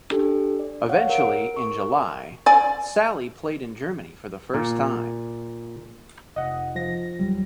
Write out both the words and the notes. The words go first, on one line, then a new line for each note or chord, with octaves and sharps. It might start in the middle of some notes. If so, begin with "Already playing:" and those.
Eventually, in July, Saille played in Germany for the first time.
D4 G4 A4
D5
C#5 F5 F#5
A#4 D7
A#4 C#6
D5 G#5
A#2
F1 D#5 F#5
F3 A#6
D#2 F#3 G3